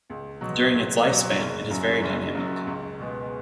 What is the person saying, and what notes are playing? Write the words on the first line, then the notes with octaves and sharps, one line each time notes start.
During its lifespan, it is very dynamic.
C#2
B2 F#3
C#2
B2 F#3
F#1
F#2 F#3
F#1
F#2 F#3
C#2
B2 G#3 B3